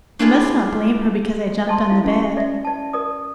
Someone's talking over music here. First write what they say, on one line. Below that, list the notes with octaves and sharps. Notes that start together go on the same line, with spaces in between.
You must not blame her because I jumped on the bed.
D4 E4 F4 G#4
D#5 A5 C6
E4 F5
C#4 G4
D5 E5
D5 A5
A#4 D5 D#6